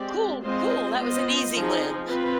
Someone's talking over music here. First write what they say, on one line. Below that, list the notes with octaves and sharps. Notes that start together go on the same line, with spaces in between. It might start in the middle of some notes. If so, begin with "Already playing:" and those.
Cool, cool. That was an easy win."
Already playing: G#3 C4 G4 D5
G#3 C4 F4 C5 D#5
B3 F4 C5 D#5
F3 C4 D#4 G#4
C4 F4 B4